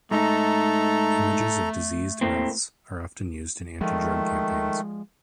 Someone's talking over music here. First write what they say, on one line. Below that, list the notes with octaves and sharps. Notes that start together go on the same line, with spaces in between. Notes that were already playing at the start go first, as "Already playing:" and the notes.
Images of diseased mouths are often used in anti-drug campaigns.
G#2 A3 D#4 A4 A#5
A2 A#3 C4
D#3 F3 G#3 A3